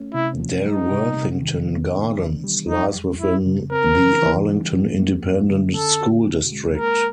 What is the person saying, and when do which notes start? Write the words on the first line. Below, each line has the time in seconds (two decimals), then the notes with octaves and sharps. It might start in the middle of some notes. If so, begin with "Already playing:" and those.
Dalworthington Gardens lies within the Arlington Independent School District.
Already playing: A3 C#4
0.14 C3 E4
0.39 F3
0.65 G3 D#4
0.90 C3
1.16 C3
1.42 D#3
1.67 B3
1.93 D4
2.19 E3
2.44 G3
2.69 F#3 D#4
2.95 F2
3.20 F2 E4
3.46 C#3
3.71 C4 A#4
3.97 E3
4.22 E3
4.48 G3
4.74 F3
4.99 A#3
5.24 F2
5.50 D3
5.76 C#4 A4
6.01 F#4
6.27 B2
6.52 G#3
6.78 A#3 A#4